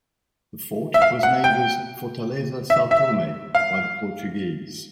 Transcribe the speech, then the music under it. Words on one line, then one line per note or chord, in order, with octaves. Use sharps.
The fort was named as Fortaleza Sao Tome, by the Portuguese.
E5
F5
F#5
G5
E5
E5
F5